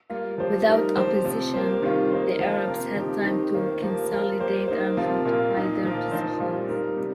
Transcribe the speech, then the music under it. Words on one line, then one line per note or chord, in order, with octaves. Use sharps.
Without opposition, the Arabs had time to consolidate and fortify their positions.
G3 A#3 F4
F3 C4 G4 C5
G3 D#4 A#4
F3 C4 G4 C5
C3 F3 C4
A#3 G4 C5
C3 D#3 G3 A#3 F4
A#3 D#4 C5
F3 A#3 F4
C3 F3 A#3 G4 A#4
C3 F3 D#4 G4
D#3 C4 D#4 G4 C5
D#3 A#3 F4 C5
F3 A#3 G4
F3 C4 F4 A#4
A#3 G4 C5
A#3 D#4 C5
C3 F3 C4 F4 A#4
A#2 A#3 F4 A#4
A#2 A#3 D#4
A#2 F3 A#3 F4 A#4
A#2 F3 D#4 C5
A#2 G3 C4 F4
G3 D#4 A#4
C3 G3